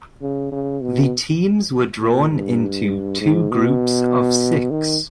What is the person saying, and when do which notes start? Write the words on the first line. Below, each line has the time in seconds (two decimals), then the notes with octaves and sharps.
The teams were drawn into two groups of six.
0.22 C#3
0.52 C#3
0.81 B2
2.02 A#2
2.31 G2
3.21 G#2
3.51 B2
4.71 D#3